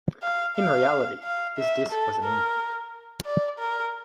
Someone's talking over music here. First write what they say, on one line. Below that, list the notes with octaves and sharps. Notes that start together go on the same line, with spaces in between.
In reality, this disc was an import.
F5
F5
F5
E5
A4
A#4
D5
A#4